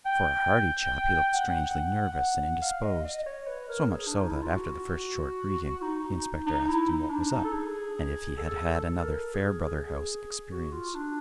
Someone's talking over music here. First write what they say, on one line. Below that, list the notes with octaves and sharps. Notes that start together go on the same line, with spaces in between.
For a hardy chap he looked strangely nervous and indisposed, so much so that, after the first short greeting, the inspector asked him what was up, and if he had had another Fairbrother-house experience.
G5
F#5
F#5
F5
D#5
D#5
C#5
B4
A#4
G#4
D4
D#4
E4
F4
F#4
D#4
D#4
E4
D#4
D4
D#4
A4
G#4
A4
A4
A#4
G#4
G#4
F#4
F4
D4